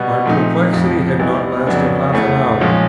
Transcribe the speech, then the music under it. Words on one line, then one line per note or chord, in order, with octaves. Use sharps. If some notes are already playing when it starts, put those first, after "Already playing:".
My perplexity had not lasted half an hour.
Already playing: B2 G3 B3
A#2 F3 A3 C4 D#4
F1 F2 C3 F3
B1 B2 G3 B3 E4
F2 C#3 F#3 B3 D4
E2 C#3 E3 A3
B1 A#2 F3 G#3 C#4